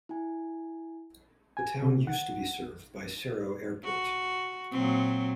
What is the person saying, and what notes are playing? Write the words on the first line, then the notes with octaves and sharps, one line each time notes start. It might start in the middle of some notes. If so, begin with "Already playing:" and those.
The town used to be served by Serowe Airport.
E4 G#5
G#5
C3
F#5
F#4
A#2 F#3 C4